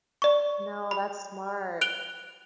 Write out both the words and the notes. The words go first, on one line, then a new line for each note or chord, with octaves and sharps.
No, that's smart.
D5 C#6
B5
F#6 D7 F7 G7